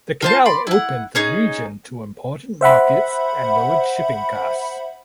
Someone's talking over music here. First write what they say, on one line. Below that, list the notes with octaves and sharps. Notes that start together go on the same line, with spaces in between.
The canal opened the region to important markets and lowered shipping costs.
F4 C5 A5
D5 B5 C6
E4 F#5
C#4 D#4 G#4
C5 E5 F#5 B5